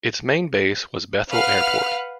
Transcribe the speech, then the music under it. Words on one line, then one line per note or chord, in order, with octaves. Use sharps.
Its main base was Bethel Airport.
B4 F5 F#5 F6